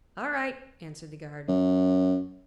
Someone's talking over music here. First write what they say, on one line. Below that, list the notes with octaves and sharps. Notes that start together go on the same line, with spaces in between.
"All right," answered the guard.
F#2